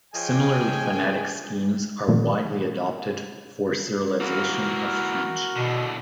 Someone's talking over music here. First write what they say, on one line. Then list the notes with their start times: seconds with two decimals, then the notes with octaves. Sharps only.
Similarly phonetic schemes are widely adopted for Cyrillization of French.
0.15 F3 G#4 C#5 D#5 G5 G#5
2.08 A#2 D3 D#3 F3 A3
4.20 E3 A#3 F#4 A#4
5.56 E2 B2 D3